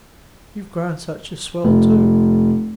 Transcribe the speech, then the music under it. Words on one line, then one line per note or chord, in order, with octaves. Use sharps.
You've grown such a swell, too.
F1